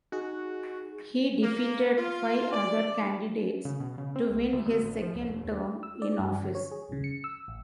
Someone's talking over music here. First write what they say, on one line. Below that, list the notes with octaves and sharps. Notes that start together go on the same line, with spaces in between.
He defeated five other candidates to win his second term in office.
D#4 F#4 G#4
A#3
F4
D5
C#3
B2
C#3
C4
C2
D2
D2
A1
F3
C#2
E1
D#2
E6
D5
G2
D3
C#5
G#4
C#3
C#7
E6
A1